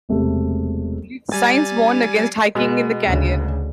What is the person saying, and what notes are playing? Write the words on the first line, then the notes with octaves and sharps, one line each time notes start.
Signs warn against hiking in the canyon.
E1 C3 A3
G3 G#5 A6
B2 G#3
D2 C#3